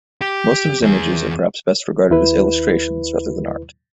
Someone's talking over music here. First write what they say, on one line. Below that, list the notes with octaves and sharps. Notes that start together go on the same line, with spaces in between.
Most of his images are perhaps best regarded as illustrations rather than art.
G4
E2 G#4
D#2 E4 B4